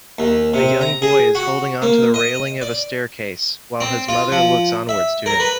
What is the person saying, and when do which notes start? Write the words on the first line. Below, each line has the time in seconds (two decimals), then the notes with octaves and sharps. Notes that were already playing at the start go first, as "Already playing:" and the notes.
A young boy is holding onto railing of a staircase while his mother looks onwards to him.
0.19 D#2
0.54 C3
0.81 A#5
1.02 G#4
1.35 F#4
1.82 A#3
2.14 D#5
2.62 D5
3.80 C4
4.09 F4
4.32 F3
4.89 E5
5.26 A#4
5.40 B4